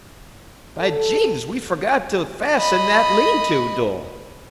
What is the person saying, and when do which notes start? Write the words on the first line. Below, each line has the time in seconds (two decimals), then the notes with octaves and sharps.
By jings, we forgot to fasten that lean-to door!
0.80 A4
2.57 D#5 B5